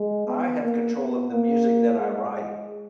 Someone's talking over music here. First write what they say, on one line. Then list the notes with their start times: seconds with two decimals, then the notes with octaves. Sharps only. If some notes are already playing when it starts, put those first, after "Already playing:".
I have control of the music that I write,
Already playing: G#3
0.27 B3
0.62 A#3
0.96 B3
1.30 A#3
1.99 G#3